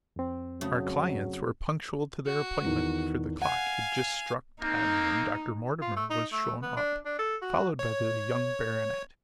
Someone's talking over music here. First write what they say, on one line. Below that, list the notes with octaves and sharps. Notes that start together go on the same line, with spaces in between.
Our clients were punctual to their appointment, for the clock had just struck ten when Dr. Mortimer was shown up, followed by the young baronet.
F2 C4
C#3 F#3 A3
F#4
E2 D#3
F5 F#5 G#5
A#3 C4 D#4
F4
A3
D#4
A3
B3
D4
D4
A4
F#4
C#5